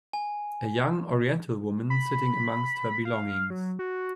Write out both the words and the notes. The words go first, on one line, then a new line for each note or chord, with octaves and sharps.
A young oriental woman sitting amongst her belongings.
G#5
B5
F5
F#3
F#4